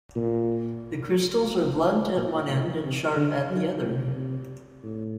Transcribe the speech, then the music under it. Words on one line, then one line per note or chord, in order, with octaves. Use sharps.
The crystals are blunt at one end and sharp at the other.
A#2
A#2
A#2
C3
D3
F#3
C3
C3
A2